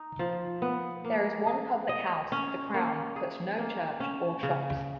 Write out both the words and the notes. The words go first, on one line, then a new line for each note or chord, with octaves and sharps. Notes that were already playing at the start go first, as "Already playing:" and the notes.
There is one public house, the Crown, but no church or shops.
Already playing: D#4
F3
B3
A#3
G#4
D#5
C#4
A#3
G#4
A#3
C#4
C#3